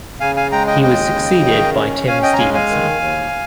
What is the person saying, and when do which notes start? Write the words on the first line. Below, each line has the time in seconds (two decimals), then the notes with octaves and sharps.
He was succeeded by Tim Stevenson.
0.20 C#3 F5 G#5
0.36 F5 G#5
0.52 G#3 G5 A#5
0.67 D#5 G5
0.83 D#2 D#5 G5
1.15 C#3
1.46 D#3
1.76 C#4
2.07 C#4 F5 G#5
2.23 D#5 G5
2.33 A#5
2.38 G#3 F5 G#5
2.54 F5 G#5
2.69 D#3
3.01 D#2